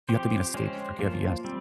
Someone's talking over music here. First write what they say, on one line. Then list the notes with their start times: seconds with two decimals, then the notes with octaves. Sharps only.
you have to be in a state to forgive, yes.
0.09 F3 C4 G4 C5
0.54 G#3 C#4 G4 C5
0.99 F3 A#3 F4 C5
1.44 G3 C4